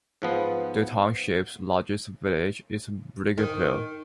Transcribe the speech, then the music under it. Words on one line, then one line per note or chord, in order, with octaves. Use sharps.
The Township's largest village is Brickerville.
G#2 F3 B3
D#3